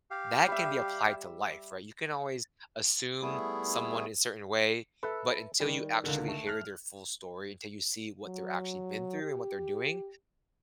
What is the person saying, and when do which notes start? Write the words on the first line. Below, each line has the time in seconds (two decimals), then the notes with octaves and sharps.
that can be applied to life, right? You can always assume someone is a certain way, but until you actually hear their full story, until you see what they're actually been through and what they're doing,
0.11 G4 F5
0.48 G3 E5
3.22 G3 A3 B3 E4 G#4
5.03 A4 B4 E5
5.60 D#3 G3
6.04 C#2 D3 D#3
6.28 A3
6.47 F6 F#6
8.25 F#3
9.22 G4